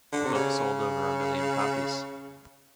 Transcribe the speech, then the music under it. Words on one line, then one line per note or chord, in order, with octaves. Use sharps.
The book sold over a million copies.
D3
C3
C#3